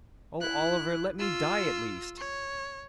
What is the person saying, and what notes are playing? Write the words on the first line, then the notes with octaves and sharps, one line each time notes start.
Oh, Oliver, let me die at least!
E4 F#6
F4 E6
C#5